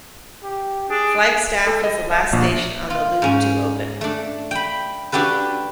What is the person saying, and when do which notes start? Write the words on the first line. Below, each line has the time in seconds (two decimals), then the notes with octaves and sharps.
Flagstaff was the last station on the loop to open.
0.43 G4
0.90 D4 G#4
1.67 A4
1.84 D#5
2.11 E5
2.33 A#1
2.90 F4
3.22 G#2 C#4
4.01 A3 D4
4.51 G5 B5
5.12 D4 F#4 G4 A4 B4